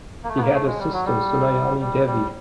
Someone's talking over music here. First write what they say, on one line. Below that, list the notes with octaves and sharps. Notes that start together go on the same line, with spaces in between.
He had a sister, Sunayani Devi.
A#3
A3
B3
A#3
A3
G#3
G3
F#3
G3
G3
G3